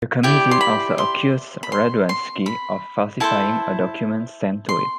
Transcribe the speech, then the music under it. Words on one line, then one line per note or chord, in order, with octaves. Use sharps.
The committee also accused Radwanski of falsifying a document sent to it.
E4 G4 D5 G5
C6
B5
C6
B5
C6
C6
B5
E4 A4 C5 A5
C6